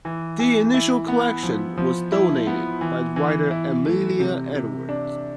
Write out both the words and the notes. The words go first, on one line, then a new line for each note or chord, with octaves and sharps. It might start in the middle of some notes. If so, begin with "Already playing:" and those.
The initial collection was donated by the writer Amelia Edwards.
E3
E3
E4
B3
F3
F3
E4
B3
E3
E3
E4
A3
C3
C3
D4